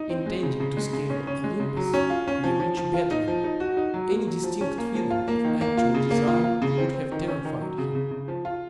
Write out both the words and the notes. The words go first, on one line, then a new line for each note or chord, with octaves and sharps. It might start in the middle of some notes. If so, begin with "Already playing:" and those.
Intending to scale Olympus, we reach Bedlam; any distinct feeling of actual desire would have terrified him.
Already playing: D#4
C4
G#3
C#3
C#3
G#3
C#3
C#4
C#4
G#3
C#3
F#3
C#4
F4
C#4
F3
F3
F3
F4
D#4
F3
D#4
F#4
D#4
F#3
A#3
F#3
F3
C#4
A#3
F3
F4
A#3
D#3
A#3
F4
C#3
A#3
F4
F4
C#3
C4
C4
D#3
C#4
D#3
F#3
C#3
C#3
C#3
F3
F4